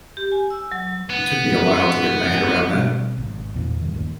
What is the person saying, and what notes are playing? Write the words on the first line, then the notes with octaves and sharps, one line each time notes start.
It took me a while to get my head around that.
G4
G#5
E6
F#3
B3
B2 G3 C4
G#1
E2 A#2
G2 D#3
D#1 D#2